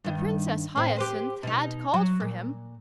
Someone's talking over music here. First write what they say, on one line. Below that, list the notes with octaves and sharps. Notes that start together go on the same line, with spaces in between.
The Princess Hyacinth had called for him.
G2 D#3
A2 C4
G4 B4 C5
B2 D#4
F#3
A#2